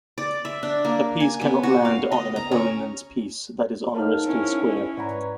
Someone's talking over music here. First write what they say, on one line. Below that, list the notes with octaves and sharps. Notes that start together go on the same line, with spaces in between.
A piece cannot land on an opponent's piece that is on a resting square.
D5
E5
D4
A#3
G#5
B3
F#4
F5
D#5
A#5
C#4
G#2 D#4 A#4 C#5 F5 A5 F6
C#4 E4
G#2 B4 C#5 D5 F#5 A#5 B5